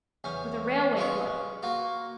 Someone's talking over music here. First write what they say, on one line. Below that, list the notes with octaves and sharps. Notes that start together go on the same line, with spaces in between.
With a railway bloke.
E2 C#4 G#5
G#3 C#4 F4 B4 C#5
A#3 F4 F#4